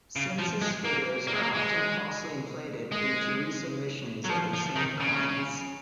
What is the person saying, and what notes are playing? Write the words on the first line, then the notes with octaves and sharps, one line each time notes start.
Census figures are often falsely inflated due to resubmissions of the same coins.
C#3
F3
G#3
A#3
A#3
G#3
A#3
G#3
G#3
F#3
F3
F3
D#3
C#3